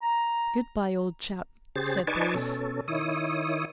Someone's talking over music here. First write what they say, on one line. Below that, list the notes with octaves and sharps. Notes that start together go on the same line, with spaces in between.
"Good-bye, old chap," said Bruce.
A#5
C#3 G4 G#4 C5 A6
D#4 B4 D5 G#5 A5 C#6
B2 C#4 A4
D#3 E4 C#5 D#6